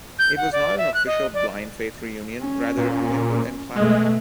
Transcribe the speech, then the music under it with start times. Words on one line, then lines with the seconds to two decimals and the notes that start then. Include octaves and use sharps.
It was not an official Blind Faith reunion; rather "Winwood and Clapton".
0.19 G6
0.37 F#5
0.52 D5
0.78 E5
0.94 F#6
1.07 D#5
1.34 D5
2.40 C#4
2.78 A#2
3.76 B2 G#3 A3